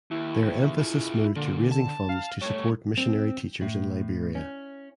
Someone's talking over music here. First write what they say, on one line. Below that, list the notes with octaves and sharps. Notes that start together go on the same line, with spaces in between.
Their emphasis moved to raising funds to support missionary teachers in Liberia.
D#2 E4
F4 G#4
A#2 D3
A5
F5
G2 A3 C#5
C4
A2
C#4